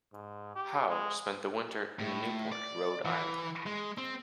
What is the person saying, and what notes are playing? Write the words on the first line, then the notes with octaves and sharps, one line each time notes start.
Howe spent the winter in Newport, Rhode Island.
G#2
G4
G#3
A2
D5
E3
G#3
C4